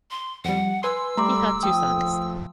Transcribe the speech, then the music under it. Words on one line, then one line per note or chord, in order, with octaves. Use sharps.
He had two sons.
C6
F2 G3 F#5
B4 G#5 C6 E6
G3 A3 A#5 C6 D6
F3 G5 D#6